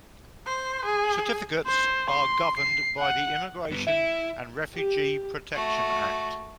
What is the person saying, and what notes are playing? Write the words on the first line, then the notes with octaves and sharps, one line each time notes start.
Certificates are governed by the "Immigration and Refugee Protection Act".
C5
G#4
C5
C6
C7
F#5
G2 B3
E4 E5
G4
A3 F#4